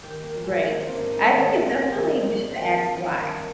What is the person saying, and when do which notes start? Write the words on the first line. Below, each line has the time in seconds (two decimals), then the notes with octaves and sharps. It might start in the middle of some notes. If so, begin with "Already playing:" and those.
Right. I think it's definitely good to ask, "Why?"
0.03 D#3 G4
0.23 A#3
0.34 G#2
0.44 G#3
0.64 D#3 A#3
0.80 C4
0.95 G#2 D4
1.11 D#4
1.27 D#3 G#3
1.56 G#2 D#4
1.66 D4
1.78 C4
1.89 D#3 A#3
2.01 A#3
2.10 G#3
2.21 G#2
2.30 A#3
2.50 D#3 C4
2.82 G2
3.13 D#3 D4